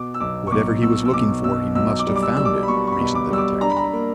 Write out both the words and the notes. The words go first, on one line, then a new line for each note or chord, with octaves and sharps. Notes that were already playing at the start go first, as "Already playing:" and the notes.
"Whatever he was looking for, he must have found it," reasoned the detective.
Already playing: B2 D6
E6
B1 D6
C#6
B1 D6
B2 E6
E6
B1 D6
B2 E6
B1 E6
D6
G3
D6
E6
G3 E6
D6
B5
B2 C#6
C#6
B5
B2
D6
G3 E6
D6
D4 A#5
B5
A#5
B5
A#3